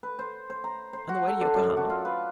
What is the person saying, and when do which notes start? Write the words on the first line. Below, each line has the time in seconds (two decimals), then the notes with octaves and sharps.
"On the way to Yokohama?"
0.03 B4
0.19 C5
0.50 C5
0.64 A#5
0.93 C5
1.09 F#4
1.28 A4
1.41 D4
1.54 F#2
1.77 F#4
1.90 F4
2.05 B4